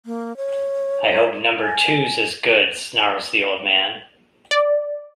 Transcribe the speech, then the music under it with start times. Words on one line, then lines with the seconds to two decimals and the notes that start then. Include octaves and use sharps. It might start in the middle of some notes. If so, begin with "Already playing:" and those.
"I hope number two's as good" snarls the old man.
0.06 A#3
0.37 C#5
1.61 G#5
4.51 D5